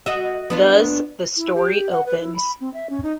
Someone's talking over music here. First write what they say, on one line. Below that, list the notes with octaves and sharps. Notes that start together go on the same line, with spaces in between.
Thus, the story opens.
F#4 D#5 E5
B3 D4 F4
E4
G4
F#5
B4
E4
B5
C4
E5
C#4
D#4